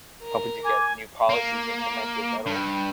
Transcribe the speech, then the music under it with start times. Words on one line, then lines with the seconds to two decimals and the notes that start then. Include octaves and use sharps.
hoping to get new policies implemented that'll
0.23 A#4
0.64 G#5 D6
1.29 A#3
2.47 G2